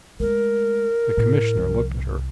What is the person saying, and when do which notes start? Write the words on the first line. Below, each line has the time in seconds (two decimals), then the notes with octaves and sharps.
The Commissioner looked at her.
0.20 G#3 A3 A#4
1.17 A2
1.57 C2 F3